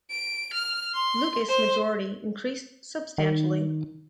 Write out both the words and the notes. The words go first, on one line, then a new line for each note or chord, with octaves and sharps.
Lucas’ majority increased substantially.
D7
F6
C6
C5
D#3